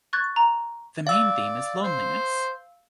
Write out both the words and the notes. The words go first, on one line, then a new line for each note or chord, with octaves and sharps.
The main theme is loneliness.
C#6 F#6 G#6 A6
A#5
D5 F5 E6
C5